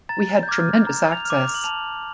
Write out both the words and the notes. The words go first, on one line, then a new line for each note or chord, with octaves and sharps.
We had tremendous access.
A#5 A6
G6
D6 F6 G#6
A#5
F7
D6 F6
F7
F#7
A5 F7